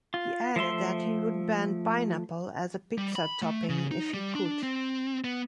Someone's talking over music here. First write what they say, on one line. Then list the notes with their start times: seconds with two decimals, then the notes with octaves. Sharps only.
He added that he would ban pineapple as a pizza topping if he could.
0.14 F4
0.56 F3 A3 E5 C6
2.98 G3
3.16 B5
3.42 A3
3.69 C#3
3.91 D#4
4.14 G3
4.35 D4
4.63 C4
5.24 B3